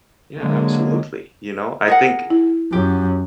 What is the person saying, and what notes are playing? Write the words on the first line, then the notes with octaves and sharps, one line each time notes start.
Yeah, absolutely, you know? I think
D3 F#3 G#3 A#3
G#4 A#4 F#5
E4
F#2 G4